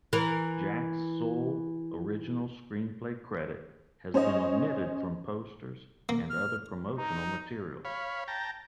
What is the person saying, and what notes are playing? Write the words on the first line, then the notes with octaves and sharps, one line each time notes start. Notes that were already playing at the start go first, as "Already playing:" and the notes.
Jack's sole original screenplay credit has been omitted from posters and other promotional materials.
E3 A#4
C#4 C5 C#5 D#5
A#3
F6
D#4 A#5
C#5 F5 B5
G5 A5 A#5